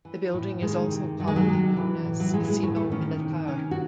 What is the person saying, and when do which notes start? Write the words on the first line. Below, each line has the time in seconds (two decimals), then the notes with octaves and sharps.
The building is also commonly known as "Casino Militar".
0.05 E3
0.34 A2
0.62 D#3 G#3
0.91 C3
1.19 D#3 F#3
1.27 G#3
1.36 F#3
1.48 C3
1.77 E3
2.05 A2
2.20 F#3
2.33 E3 G#3
2.48 G#3
2.63 A2 A3
2.76 A3
2.92 D#3 C#4
3.19 C3
3.47 D#3 C#4
3.71 F#4